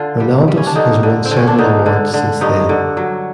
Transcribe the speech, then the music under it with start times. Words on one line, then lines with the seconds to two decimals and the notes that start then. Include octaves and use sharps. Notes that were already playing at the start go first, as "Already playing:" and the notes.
Ronaldus has won several awards since then.
Already playing: D3 F4
0.20 G3
0.48 G3
0.57 C#4
0.66 D4
0.75 D3 D#4
1.03 D3
1.25 C4
1.31 D3
1.37 C#4
1.48 D4
1.59 D3 D#4
1.86 D3
2.14 D3
2.41 G2 D#4
2.69 D3
2.97 F#3